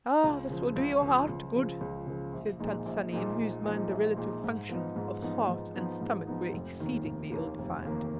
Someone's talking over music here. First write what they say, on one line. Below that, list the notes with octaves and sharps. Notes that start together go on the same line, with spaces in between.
"Ah, this will do your heart good," said Tant Sannie, in whose mind the relative functions of heart and stomach were exceedingly ill-defined.
C#2
C#3 F3
C#2
C#3 F3
C#2
C#3 F3
C#2
C#3 F3
A#1
A#2 F3 G#3 D#4
A#1
A#2 F3 G#3 D#4
A#1
A#2 F3 G#3 D#4
A#1
A#2 F3 G#3 D#4
G#2
F3 B3 D#4
G#2
F3 B3 D#4
G#2
F3 B3 D#4
G#2
F3 B3 D#4
F1
D#2 D#3 A#3
F1
D#2 D#3 A#3
F1
D#2 D#3 A#3